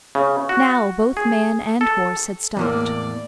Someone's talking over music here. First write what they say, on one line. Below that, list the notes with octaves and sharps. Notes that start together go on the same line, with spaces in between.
Now both man and horse had stopped.
C#3
F#4
G#4
A4
E2 A2 A#3 D5